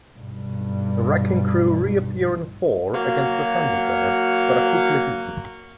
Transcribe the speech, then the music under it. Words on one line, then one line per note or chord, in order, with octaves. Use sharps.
The Wrecking Crew reappear in "Thor" against the Thunder God, but are quickly beaten.
B1 G2
F#3 A#3 F#4